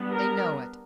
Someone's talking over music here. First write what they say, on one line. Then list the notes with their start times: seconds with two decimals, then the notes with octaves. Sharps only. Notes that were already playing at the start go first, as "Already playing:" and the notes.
They know it.
Already playing: G3 B3 D4
0.12 A#4